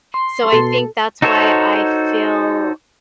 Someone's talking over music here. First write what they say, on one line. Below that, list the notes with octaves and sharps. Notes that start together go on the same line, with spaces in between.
So, I think that's why I feel,
C6
B2 A4
D#4 F#4 A4 C5 C#5